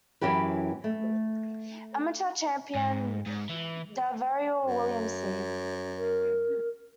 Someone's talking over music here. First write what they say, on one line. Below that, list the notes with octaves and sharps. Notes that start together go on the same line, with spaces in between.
Amateur Champion DaVarryl Williamson.
F#2 E3 C#4 G4 B4
A3
G#2
G#2
E3
F#2
A#4